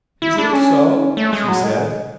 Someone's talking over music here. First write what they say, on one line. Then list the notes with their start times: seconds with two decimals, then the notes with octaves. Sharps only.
"Is it so?" she said.
0.22 E4
0.38 D4
0.53 C#4
1.17 A3
1.33 G#3
1.48 F#3
1.64 G#3